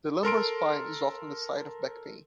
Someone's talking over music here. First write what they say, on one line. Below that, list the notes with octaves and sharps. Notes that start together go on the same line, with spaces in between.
The lumbar spine is often the site of back pain.
A4 A#4 C6 D7